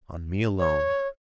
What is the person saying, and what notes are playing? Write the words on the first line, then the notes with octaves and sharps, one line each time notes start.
On me alone.
C#5